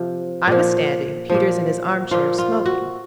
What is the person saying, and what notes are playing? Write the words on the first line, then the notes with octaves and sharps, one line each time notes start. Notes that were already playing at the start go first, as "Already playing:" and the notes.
I was standing; Peters in his arm-chair, smoking.
Already playing: C3 F3
A#2 F3
A#2 F3
A#2 F3 F4
F4
F#4